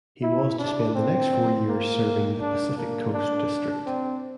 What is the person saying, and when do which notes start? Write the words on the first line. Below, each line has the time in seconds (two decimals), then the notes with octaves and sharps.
He was to spend the next four years serving the Pacific Coast district.
0.23 E4
0.58 D4
0.95 C4
1.69 A#3
2.40 D4
2.78 A#3
3.14 D4
3.86 C4